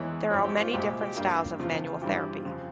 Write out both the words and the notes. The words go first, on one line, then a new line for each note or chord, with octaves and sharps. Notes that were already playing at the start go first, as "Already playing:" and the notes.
There are many different styles of manual therapy.
Already playing: E2 E3 G#3 E4 C#5
G#2 F3 C4 E4 C#5
G4
F4
C2 A#2 G#3 G4
G4
G2 G3 A#3 G4
E2 C#3 F3 F4
G2 E3 G3 C4 E4 G4
G4
F4
F2 C#3 F3 C4